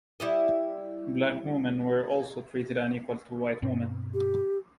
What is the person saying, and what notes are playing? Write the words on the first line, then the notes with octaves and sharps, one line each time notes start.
Black women were also treated unequal to white women.
G3 E4 D#5
G2 B2 C4
G4